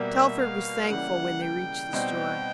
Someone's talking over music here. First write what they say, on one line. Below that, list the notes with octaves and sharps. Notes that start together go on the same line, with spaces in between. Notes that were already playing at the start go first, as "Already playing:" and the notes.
Telford was thankful when they reached the store.
Already playing: B2 G3 A#3 E5
F5
C#3 E3 G3 A#3 F#5
G5
B2 G3 C4 D#4